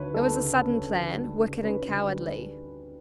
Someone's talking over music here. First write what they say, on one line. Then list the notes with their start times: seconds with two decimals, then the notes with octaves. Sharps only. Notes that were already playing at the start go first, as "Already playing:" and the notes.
It was a sudden plan, wicked and cowardly.
Already playing: D2 C#4 B4 C#5
0.13 G3 A4
0.39 C#3
0.63 C#4
0.88 D2
1.14 G3
1.39 C#3
1.63 C#4 B4
1.88 D2
2.13 G3